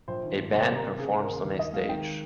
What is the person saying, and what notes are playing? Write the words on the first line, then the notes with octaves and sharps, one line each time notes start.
A band performs on a stage.
A#1 C5
D#3
G#2
C3 C5
G3
A#4
C3
C#3 G#4
C#3
A#4
D#2
D#3
D#2 D#5
G#3 F5
D#3 G5